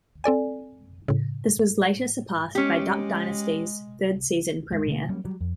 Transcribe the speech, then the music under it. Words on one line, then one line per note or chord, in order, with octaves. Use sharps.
This was later surpassed by "Duck Dynasty"'s third season premiere.
C4 A4 D5 G#5
A2 C#3
G#3 C#4 G4
G2 G#3
B2 D3 A3
F#3 G3 A#3 C#4
F#3 G3
F2